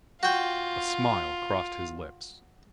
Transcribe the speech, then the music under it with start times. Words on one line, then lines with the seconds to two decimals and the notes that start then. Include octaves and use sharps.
A smile crossed his lips.
0.23 F4 F#4 G5